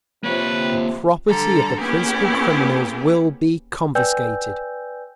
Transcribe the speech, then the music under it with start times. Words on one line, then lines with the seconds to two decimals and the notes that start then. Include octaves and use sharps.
The property of the principal criminals will be confiscated.
0.24 C3 F3 A#3 B4 C#5
1.27 D3 G3 A4 A#5
1.79 A#3 B3 C#4 E4 G4 G#4
3.95 B4 D5 G5 G#5 E6 G6